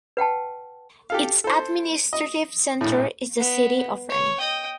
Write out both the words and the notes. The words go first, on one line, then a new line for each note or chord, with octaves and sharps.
Its administrative center is the city of Reni.
B4 F#5 G5 A5
G4 A4 F5
A4 C5
D#5
A#1 A2
B3
C#5
D#5 G5